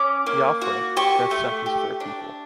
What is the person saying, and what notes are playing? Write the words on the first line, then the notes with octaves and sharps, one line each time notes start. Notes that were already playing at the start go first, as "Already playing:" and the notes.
Biafra, Death Sentence for a People.
Already playing: C#4 D6
A#3
F#4
G4 C#6
A3
G4
D4